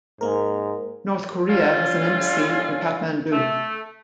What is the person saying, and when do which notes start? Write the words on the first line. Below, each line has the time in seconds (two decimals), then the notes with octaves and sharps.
North Korea has an embassy in Kathmandu.
0.21 G#2 A#3 A#4
1.49 A2 D3 G3 C#4 F4
3.32 A3